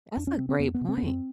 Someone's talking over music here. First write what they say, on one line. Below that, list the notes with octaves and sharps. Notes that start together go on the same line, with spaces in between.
That's a great point.
F2 D4
C#4
C3 C4
C4
F2 B3
B3
C3
C4
B3
F2 C4